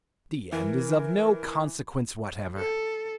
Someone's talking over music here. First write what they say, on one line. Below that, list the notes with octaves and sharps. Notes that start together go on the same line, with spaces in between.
The end is of no consequence whatever.
E3 A#4
A4